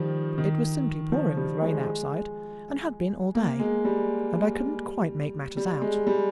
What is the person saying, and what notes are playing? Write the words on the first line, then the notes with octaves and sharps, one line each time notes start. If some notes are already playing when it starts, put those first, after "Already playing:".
It was simply pouring with rain outside, and had been all day; and I couldn't quite make matters out.
Already playing: D#3 F3 G3
D#3
F3
G3
G#3
A#3
G#3
G3
G3
G#3
G3